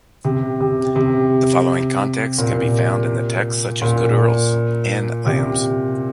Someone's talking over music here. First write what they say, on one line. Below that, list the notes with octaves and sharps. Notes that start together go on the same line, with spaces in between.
The following content can be found in texts such as Goodearl's and Lam's.
C3
C3
C3
A#2
A#2
C3